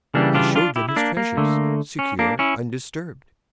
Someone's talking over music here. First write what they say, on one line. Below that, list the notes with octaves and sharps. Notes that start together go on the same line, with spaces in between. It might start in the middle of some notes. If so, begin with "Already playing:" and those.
I showed them his treasures, secure, undisturbed.
C#3 E3 G3 A#3 D4
D4 F4
D4 F4
E4 G4
E4
A#3 D4
A#3
D3 A3
C#4
A#3 D4
C#4 E4